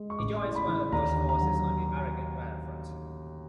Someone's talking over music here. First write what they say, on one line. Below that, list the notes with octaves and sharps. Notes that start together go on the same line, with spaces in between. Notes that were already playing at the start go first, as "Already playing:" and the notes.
He joins one of those forces on the Aragon battlefront.
Already playing: G#3
C#6
A1 D6
C6
A2
B5
E3
D#2 A#5
D3
A#5
F#3